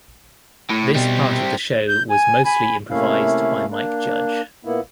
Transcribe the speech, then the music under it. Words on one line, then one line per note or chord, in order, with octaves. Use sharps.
This part of the show was mostly improvised by Mike Judge.
A2
B2 G3 C4
G6
G#5
G#5 B5
C3 A3 A#3 C#4 E4 F5
A#3 D4
A#2 A#3 B3 E4